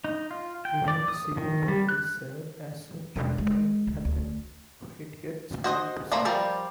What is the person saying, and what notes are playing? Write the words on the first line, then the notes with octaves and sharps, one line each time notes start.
During the Civil War, he served as a chaplain at the Gratiot Street Prison.
D#4
F4
G5
D5
D#6
D#3
G3
F#6
E1
G#3
D2
D2
F#4 C5 D#5
A3 A#3 C5 A#5 B5
F3 G3 A#4 D5